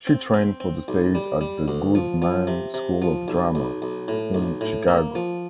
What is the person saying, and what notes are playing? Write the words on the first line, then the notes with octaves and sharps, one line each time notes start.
She trained for the stage at the Goodman School of Drama, in Chicago.
C4
C4
C4
B1
G3
G3
D2
F3
F3
C3
C3
F3
B1
B1
B1
A2
B1
A2
A#3
F3